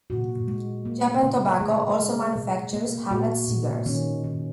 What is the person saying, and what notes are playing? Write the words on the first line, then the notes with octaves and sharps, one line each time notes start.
Japan Tobacco also manufactures Hamlet cigars.
A#2 F#4
G#3
A#3
C#3
G#3 G#4
G#3
B2
A#3
A#2 F#4
A#2
D#3 C#4
D#3